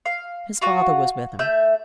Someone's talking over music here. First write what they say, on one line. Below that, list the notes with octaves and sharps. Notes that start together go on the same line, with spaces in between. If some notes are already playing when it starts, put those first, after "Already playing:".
His father was with him.
F5
F4 F#4 C#6
A3 E5 G6